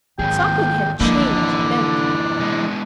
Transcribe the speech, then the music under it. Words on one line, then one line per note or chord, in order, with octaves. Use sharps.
Something had changed Benda.
G#1 D#2 G#4 G5
D3 E3 F3 A#3 D4 D#4
G#3 B3